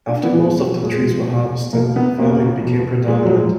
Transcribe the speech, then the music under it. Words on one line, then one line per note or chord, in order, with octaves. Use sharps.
After most of the trees were harvested, farming became predominant.
D4
B3
A#2 G#3
F3 F#3
A#2 G#3
F3
B2
B2 A#3
B3
B2 A#3
B2
A#2 G#3
F#3
F3 G#3